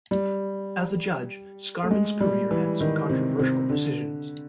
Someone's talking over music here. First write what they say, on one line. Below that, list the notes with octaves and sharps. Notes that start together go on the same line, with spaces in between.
As a judge, Scarman's career had some controversial decisions.
G3
A3
G#3
G3
E3
D#3
C3
C3
D3